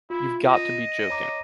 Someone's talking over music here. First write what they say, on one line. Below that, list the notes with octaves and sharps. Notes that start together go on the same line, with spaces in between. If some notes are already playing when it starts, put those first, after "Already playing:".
You’ve got to be joking.
E4 F4
D#5
C#5 A#5 D6